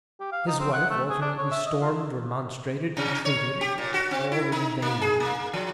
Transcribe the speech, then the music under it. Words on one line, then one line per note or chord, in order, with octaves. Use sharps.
His wife alternately stormed, remonstrated, entreated; but all in vain.
G4
F5
D#4
C4
F#5
A3
G#4
D4
C#5
E5
D#5
F4
C3
C#5
G4
A#2
F#4
C4
E4
D#4
A#3
G#4
A#3
F3